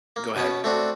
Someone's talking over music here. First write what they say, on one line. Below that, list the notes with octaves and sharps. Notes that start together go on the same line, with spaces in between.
go ahead.
A#3
B2 B3 C#4
A3 C4 D4 F#4